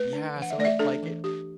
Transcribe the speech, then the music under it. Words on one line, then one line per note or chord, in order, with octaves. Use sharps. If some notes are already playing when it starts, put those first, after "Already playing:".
Yeah, so, it like, it
Already playing: A3 B4
D4
E3
F#5
E5
A3 D5
E5
D4 A4
E3
D4 G4